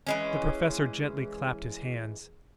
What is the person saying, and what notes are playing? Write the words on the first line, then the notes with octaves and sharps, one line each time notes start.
The Professor gently clapped his hands.
E3 G#3 C#4